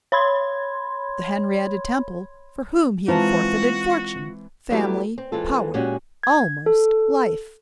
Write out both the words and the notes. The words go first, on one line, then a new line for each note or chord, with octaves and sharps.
The Henrietta Temple for whom he had forfeited fortune, family, power, almost life!
C#5 B5 C6 G#6
E3 G#3 C4 F4 F#4 A5 A#5
F#3 G3 A3 B3 E4 G4
C4
E3 G#3 C4 F4 A4
A#2 G#3 C#4 F#4 G4 F#5
G#6
A4